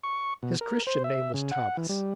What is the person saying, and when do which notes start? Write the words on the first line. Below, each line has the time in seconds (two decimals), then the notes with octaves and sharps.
His Christian name was Thomas.
0.03 C#6
0.43 B2
0.61 A#4
0.87 C5
1.04 E5
1.34 C#3
1.51 F#5
1.77 E3
1.89 G3